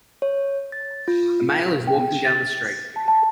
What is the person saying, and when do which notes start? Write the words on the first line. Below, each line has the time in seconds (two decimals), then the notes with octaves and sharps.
A male is walking down the street.
0.22 C#5
0.72 A6
1.08 F4
1.52 F5
1.87 G5
2.25 A6
2.96 A5
3.08 A5